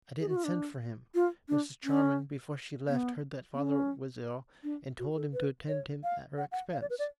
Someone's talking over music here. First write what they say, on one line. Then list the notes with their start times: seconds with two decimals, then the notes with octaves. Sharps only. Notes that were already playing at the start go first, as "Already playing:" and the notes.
"I didn't send for him Mrs. Charmond, before she left, heard that father was ill, and told him to attend him at her expense."
0.20 G#4
0.29 F#4
0.36 F4
0.44 D4
1.15 F4
1.49 D4
1.84 C#4
2.89 B3
3.53 B3
3.59 C#4
4.63 D4
4.99 F#4
5.16 A4
5.33 B4
5.68 C#5
6.03 F5
6.38 F#5
6.52 F#5
6.72 F5
6.81 D5
6.90 B4
6.99 D5